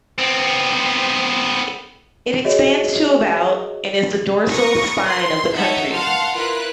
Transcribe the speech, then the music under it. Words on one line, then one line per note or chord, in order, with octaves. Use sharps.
It expands to about and is the dorsal spine of the country.
B3 C4
F#4 G#4 C#5 D#5 E5
A#4 B4 C#6 D#6 A#6
C6
D#4 A4 C#5 E5 F#5 D#6
F5 F#5 A5 C6 F6
E4 F4 A#4 B4 F#6